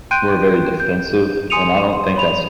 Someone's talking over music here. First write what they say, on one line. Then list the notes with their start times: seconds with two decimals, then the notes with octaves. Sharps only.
we're very defensive, and I don't think that's
0.11 G5 C6 F#6 G6 D7 D#7
0.80 G6
1.50 G#5 C6 D#6 C#7 D#7 F7
1.93 C6
2.16 C#5 B5 F7